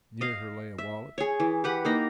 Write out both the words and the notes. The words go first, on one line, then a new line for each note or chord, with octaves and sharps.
Near her lay a wallet.
D#5 F5
E5
G#4 C#5
E3
G4 B4 F#5
A#3 D#4 A#5